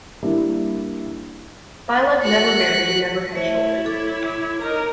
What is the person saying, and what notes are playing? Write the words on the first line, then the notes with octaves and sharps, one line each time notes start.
Bilac never married and never had children.
G3 A#3 D4 E4
F#4 F#6
A3 E4 C5 C#5 E5
A4 D6
D#4 A#4 A#5